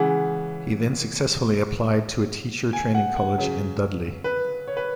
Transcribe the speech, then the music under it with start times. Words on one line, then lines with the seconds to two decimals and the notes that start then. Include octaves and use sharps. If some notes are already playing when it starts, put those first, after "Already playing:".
He then successfully applied to a teacher training college in Dudley.
Already playing: C#3 E3 G#3 F#5
2.73 G#5
2.95 F#5
3.16 F#5
3.38 C#3 F#3
4.24 B4
4.67 C#5
4.77 B4